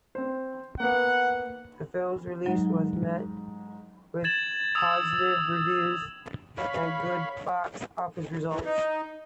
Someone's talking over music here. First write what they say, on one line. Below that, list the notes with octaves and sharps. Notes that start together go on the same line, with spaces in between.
The film's release was met with positive reviews and good box office results.
C4 C5
A#3 B3 F#5
G#2 F#3
G#6 A6 E7 F#7
D#6 E6 A6 F7
C#5 F5 B5
E3
D#4